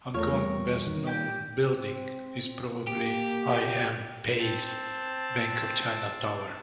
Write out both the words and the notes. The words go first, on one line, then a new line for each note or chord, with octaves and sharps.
Hong Kong's best-known building is probably I. M. Pei's Bank of China Tower.
E2 A3 F4 A#4 C#5
G3
D#3
G4 G5
C4
C4
A#3 G4
C4 A5